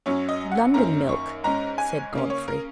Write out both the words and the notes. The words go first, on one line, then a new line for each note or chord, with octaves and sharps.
"London milk!" said Godfrey.
F#2 F#3 C#4 C#5
D#5
F#5
F#2 D#3 A#3 C#4 A#5
C#6
G#2 G#3 C#4 A#5
G#5
C#3 A#3 C#4
C#5
A#4